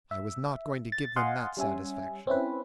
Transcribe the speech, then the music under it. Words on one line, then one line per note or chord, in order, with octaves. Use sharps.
I was not going to give them that satisfaction.
E5
A6
D#5 F5 F#5 G#5 C6
G3 C#4 E5 G#5
C4 C#4 E4 B4